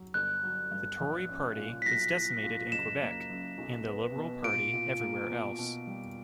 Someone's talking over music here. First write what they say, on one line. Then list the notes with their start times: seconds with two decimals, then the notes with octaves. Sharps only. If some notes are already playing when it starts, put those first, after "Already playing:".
The Tory party was decimated in Quebec, and the Liberal party everywhere else.
Already playing: F#3
0.14 G1 F#6
0.43 F#3
0.71 G2
1.00 A#1
1.29 C#4
1.57 A#2
1.82 B6
1.86 B1 A#6
2.15 E4
2.44 A#2
2.72 F#1 E7
3.01 A#3
3.30 F#2
3.58 B1
3.87 B3
4.16 B2
4.44 A#2 D7
4.73 A#2
5.01 A#3
5.30 B2
5.59 B2
5.87 G3